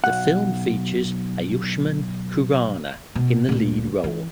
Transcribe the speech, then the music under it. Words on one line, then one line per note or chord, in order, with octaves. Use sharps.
The film features Ayushmann Khurrana in the lead role.
B1 F#5
B2
D2 A#2
E3